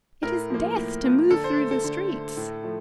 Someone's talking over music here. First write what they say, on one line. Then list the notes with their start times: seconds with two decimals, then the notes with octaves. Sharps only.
It is death to move through the streets!'
0.23 A2 A#4
0.50 F3 A#3
0.76 A2
1.03 F3 A#3
1.30 D3 A4
1.44 C5
1.57 A3
1.71 A4
1.84 D3
2.11 A3
2.37 A2
2.64 F3 A3